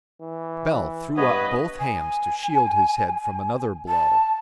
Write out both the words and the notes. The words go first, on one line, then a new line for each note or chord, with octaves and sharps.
Bell threw up both hands to shield his head from another blow.
E3
G2 B3 B4 C#5 D#5
G#5
A5